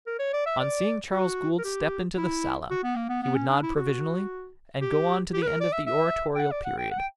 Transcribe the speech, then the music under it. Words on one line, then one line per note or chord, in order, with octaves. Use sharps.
On seeing Charles Gould step into the sala he would nod provisionally and go on to the end of the oratorial period.
A#4
C#5
D5
E5
D5
F#4
A#4
G4
E4
F#4
B3
A#3
B3
B3
C#4
D4
E4
F#4
G4
G4
B4
A#4
D5
E5
E5
G5
F#5
D5
F#5
G5
F#5
G5